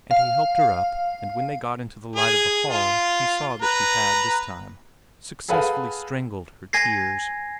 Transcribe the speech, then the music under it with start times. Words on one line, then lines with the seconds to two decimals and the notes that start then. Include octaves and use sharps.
And he helped her up, and when they got into the light of the hall he saw that she had, this time, successfully strangled her tears.
0.11 F5
2.16 G#4
2.70 F4
3.62 B4 A#5
5.48 G#4 A4 B4 F5 F#5 G#5
6.73 G#5 G#6 A#6 C7